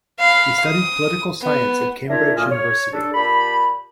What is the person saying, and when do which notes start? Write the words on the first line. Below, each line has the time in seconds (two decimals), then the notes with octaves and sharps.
He studied political science at Cambridge University.
0.19 F5 B5
0.65 D#6
1.42 B3
2.09 D4 D#4 F4 A#4 C#5 E5
2.36 D2 A#2 A#3 G#5 D#6 F6
2.50 C#5
2.92 D4 A4
3.14 A#2 G4 A5 B5